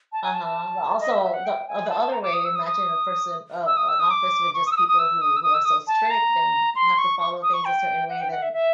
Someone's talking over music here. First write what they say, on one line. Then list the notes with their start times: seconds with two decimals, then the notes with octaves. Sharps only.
uh-huh, but also, the the other way, imagine a person, uh, an office with just people who who are so strict and have to follow things a certain way, then
0.12 A5
0.23 G#5
0.34 A5
0.45 A5
1.00 D#5
1.12 E5
1.23 E5
1.34 F#5
1.46 G5
1.68 G#5
1.89 A5
2.01 A5
2.11 A#5
2.23 D6
2.33 D#6
2.45 E6
2.56 D#6
2.66 D#6
3.66 E6
3.77 D#6
3.88 E6
4.00 D#6
4.11 D6
4.54 C#6
4.66 D#6
4.72 E6
4.77 D#6
4.88 D#6
4.99 E6
5.21 D#6
5.36 E6
5.43 D#6
5.54 E6
5.65 D#6
5.87 A5
6.10 A#5
6.76 C6
6.98 C#6
7.20 C#6
7.43 D#6
7.54 C#6
7.65 G5
8.09 F#5
8.20 G5
8.31 F#5
8.42 E5
8.53 E5